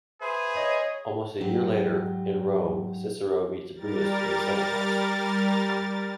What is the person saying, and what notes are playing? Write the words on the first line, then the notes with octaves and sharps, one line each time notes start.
Almost a year later, in Rome, Cicero meets Brutus in the Senate House.
G#4 B4 C5 E5
C#5 D#5
G#2 F#3 G4
G3 A#4 A6